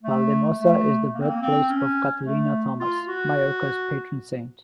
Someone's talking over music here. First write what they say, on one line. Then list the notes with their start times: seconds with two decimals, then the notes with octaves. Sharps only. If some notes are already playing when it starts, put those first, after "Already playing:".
Valldemossa is the birthplace of Catalina Thomas, Mallorca's patron saint.
0.03 A3
0.60 A3
1.14 A#3
1.21 C4
1.29 A#3
1.42 C4
1.69 C#4
2.25 A3
2.80 F4
3.08 F#4